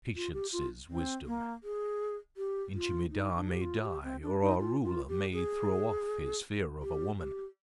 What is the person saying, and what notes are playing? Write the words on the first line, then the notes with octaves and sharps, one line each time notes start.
Patience is wisdom. Inchi Midah may die or our Ruler may throw off his fear of a woman!' . . .
F4
G4
F4
C4
A#3
G#4
G4
F4
D#4
D4
G4
F4
F4
G4
C4
D4
D#4
F4
F4
G4
G#4
G4
G4